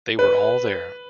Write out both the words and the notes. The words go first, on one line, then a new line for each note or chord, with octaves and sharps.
They were all there.
B4